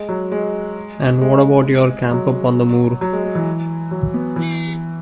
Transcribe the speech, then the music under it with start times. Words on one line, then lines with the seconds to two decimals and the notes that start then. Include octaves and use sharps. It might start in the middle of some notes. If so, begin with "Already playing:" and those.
And what about your camp up on the moor?
Already playing: G#3
0.09 F#3
0.32 G#3
1.21 G#3
2.11 F#3
3.01 F#3
3.13 G#3
3.24 G#3
3.35 E3
3.91 F#3
4.14 B3
4.36 E3